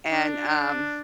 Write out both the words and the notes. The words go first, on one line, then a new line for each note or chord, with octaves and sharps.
and um
D4